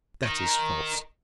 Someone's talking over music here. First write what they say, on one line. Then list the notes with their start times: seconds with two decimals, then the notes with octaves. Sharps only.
That is false.
0.23 A#4 D#5